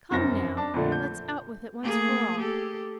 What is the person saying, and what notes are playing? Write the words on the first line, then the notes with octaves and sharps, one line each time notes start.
Come now, let's out with it once for all.
F1 F#2 C4 A#6
D4 A5
F2 A#2 D3 A3
G6
A3 A#3 G#4
G4 A4